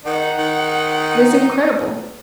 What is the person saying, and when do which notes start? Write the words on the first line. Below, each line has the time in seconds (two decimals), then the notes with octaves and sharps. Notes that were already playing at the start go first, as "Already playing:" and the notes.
It is incredible!
0.06 D#3 D#4 D#5 F#5
0.39 D#3